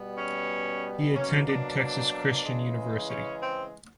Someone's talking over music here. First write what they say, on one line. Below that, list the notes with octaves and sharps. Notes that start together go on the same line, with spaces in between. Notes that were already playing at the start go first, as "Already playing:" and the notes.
He attended Texas Christian University.
Already playing: B2 G3 B3
C#4
B2 F#3 A#3 C#4
D4
C#3 E3 G#3
C#4
C4